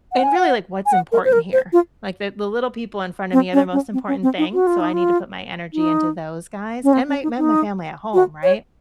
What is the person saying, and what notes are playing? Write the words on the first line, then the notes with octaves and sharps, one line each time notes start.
and really, like, what's important here, like, the the little people in front of me are the most important thing, so I need to put my energy into those guys and my my family at home right,
F#5
G#5
F#5
G#5
F#5
A#4
C5
A#4
C5
F4
C4
C#4
C#4
C4
C#4
C4
D#4
F#4
F4
D#4
F4
D#4
C#4
C4
C#4
D#4
D#4
F#4
C#5